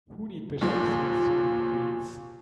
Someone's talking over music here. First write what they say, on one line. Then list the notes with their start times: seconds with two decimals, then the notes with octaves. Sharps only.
Who need bishops with so many queens?
0.61 D#2 A#2 F3